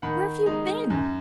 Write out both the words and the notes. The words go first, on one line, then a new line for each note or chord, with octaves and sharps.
"Where've you been?"
D#3 F#5 B5
G#3 D#4
F#2